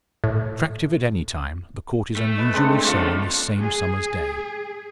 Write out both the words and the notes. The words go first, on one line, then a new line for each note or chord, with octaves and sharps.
Attractive at any time, the Court is unusually so on this same summer's day.
A2
A3
B4 D#5
G#3 C4 D4
C#3 F4 A4
G#4